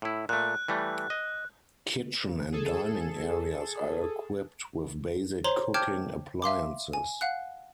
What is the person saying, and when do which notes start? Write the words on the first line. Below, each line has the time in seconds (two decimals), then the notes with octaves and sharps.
Kitchen and dining areas are equipped with basic cooking appliances.
0.02 A2 E4
0.29 A#2 A3 F#6
0.68 E3 G3 A3
1.10 D#5
2.53 G#4 A4
5.44 C5 C#5 A#5 C6 F#7 G7
5.74 G5 A5 D6 F6 G6 G#6
6.42 E5 F5 C6 D6
6.93 G#5
7.21 F5 F#5 F#6